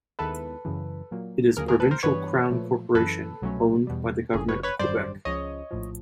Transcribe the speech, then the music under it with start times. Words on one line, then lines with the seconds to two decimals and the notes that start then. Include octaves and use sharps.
It is a provincial Crown corporation owned by the Government of Quebec.
0.19 D#2 D#3 G#3 B3 E4 A4 B4
0.65 F#2 C#3 E3
1.11 A#2 F#3 A#3
1.57 D#2 D3 F#3 A#3 G#4 A#4
1.68 G#4 A#4
1.80 A4 B4
1.91 A#4 C5
2.03 G2 E3 G3 B3 D4 B4 C#5
2.50 A#2 F3 A3
2.95 F#2 C#3 E3 A4 B4
3.41 C2 B2 F#3 A3 C#4
3.87 E2 B2 G3
4.33 G1 F#2 C#3 G#4
4.48 B4 C#5
4.63 B4 C#5
4.79 G#1 F#2 D3 G3 C5 D5
5.25 C#2 C#3 F3 C#5 D#5
5.71 A#1 A2 F3